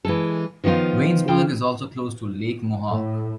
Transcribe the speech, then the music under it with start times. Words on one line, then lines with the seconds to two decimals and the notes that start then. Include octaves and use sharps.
Waynesburg is also close to Lake Mohawk.
0.05 E3 G#3 A4
0.64 D#3 F3 B3 D#4 F4
1.28 C#3 G5
2.88 A2